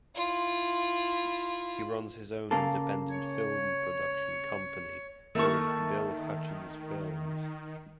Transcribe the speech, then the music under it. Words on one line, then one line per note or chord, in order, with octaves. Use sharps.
He runs his own independent film production company called Bill Hutchens Films.
E4 F4
C#3 A#3 A4
C#5
D#3 A3 A#3 E4 A#4 A5 C#6